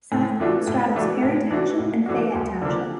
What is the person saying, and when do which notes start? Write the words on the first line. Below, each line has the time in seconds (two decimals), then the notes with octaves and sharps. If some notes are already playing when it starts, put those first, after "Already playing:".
South Point straddles Perry Township and Fayette Township.
0.12 A2
0.40 E3 A3 D4 F#4
0.68 A2
0.96 E3 A3 D4 F#4
1.23 A2
1.51 E3 A3 D4 F#4
1.78 A2
2.06 E3 A3 D4 F#4
2.34 D2
2.61 D3 F3 A#3 D4